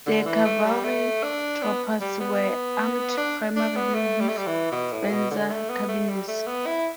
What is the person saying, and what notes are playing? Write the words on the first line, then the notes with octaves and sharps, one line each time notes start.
The cavalry troopers were armed primarily with Spencer carbines.
D3
E3
A3
G3
A3
D4
B3
G3
B3
D4
D4
B3
A3
G3
A3
G3
E3
B2
A2
B2
D3
A3
B3
A3
G3
A3
B3
E4